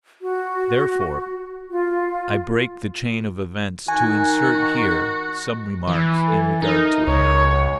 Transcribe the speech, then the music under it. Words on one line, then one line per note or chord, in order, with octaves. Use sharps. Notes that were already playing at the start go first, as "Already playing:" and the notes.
Therefore I break the chain of events to insert here some remarks in regard to it.
F#4
F4
D#3 F#4 G#5
E3
A4
D#4 A#4
C#2 C#5